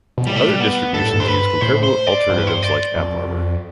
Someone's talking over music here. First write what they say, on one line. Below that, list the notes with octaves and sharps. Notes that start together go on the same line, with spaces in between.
Other distributions use comparable alternatives like AppArmor.
B2
A2 G3
A3
G3
B3
G2 A4
A2
G2
C5
B4
A2 C5
C5
D5
G2 C5
B4
C5
D5
F2